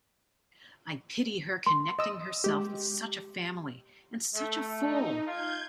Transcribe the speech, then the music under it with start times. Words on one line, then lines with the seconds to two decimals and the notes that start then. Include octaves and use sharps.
I pity her connecting herself with such a Family, and such a fool!
1.67 C6
1.99 D#5 E6
2.44 G#3 G4
4.34 A3
4.79 D#4
5.27 F4 G6 G#6